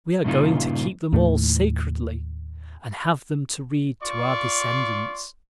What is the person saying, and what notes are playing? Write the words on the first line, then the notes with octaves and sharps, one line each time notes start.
We are going to keep them all sacredly and have them to read to our descendants.
G2 A#2 C#3 D#4 F4
D#2 A2 A3
F4 D5 C6 C#6